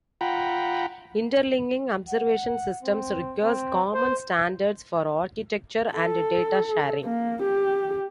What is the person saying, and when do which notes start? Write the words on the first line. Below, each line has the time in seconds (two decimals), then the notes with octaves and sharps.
Interlinking observation systems requires common standards for architecture and data sharing.
0.21 F4 F#5 G5 A#5 B5
2.09 F#5
2.83 C4
3.43 C4
3.93 C5
5.95 A4
7.04 A#3
7.42 G4